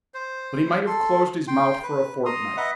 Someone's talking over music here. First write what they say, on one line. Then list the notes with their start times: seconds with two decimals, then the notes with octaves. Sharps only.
But he might have closed his mouth for a fortnight.
0.14 C5
0.87 A4 C6
1.48 G5 C6
1.83 B4
2.26 A#5 C6 D#6
2.57 B4 D#5 E5 F#5